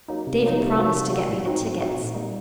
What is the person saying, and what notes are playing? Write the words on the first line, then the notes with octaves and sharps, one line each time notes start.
David promised to get me the tickets.
F#3 A#3 D#4
C3
F#3 A#3 D#4
C3
F#3 A#3 F#4
C3
F#3 A#3 F#4
A2
F#3 C4 D#4 F#4
A2
F#3 C4 D#4 F#4
A#2
G3 A#3 D#4